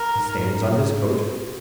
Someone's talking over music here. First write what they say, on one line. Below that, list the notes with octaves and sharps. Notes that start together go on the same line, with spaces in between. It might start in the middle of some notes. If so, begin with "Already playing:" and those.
Stains on his coat.
Already playing: A#4
G#2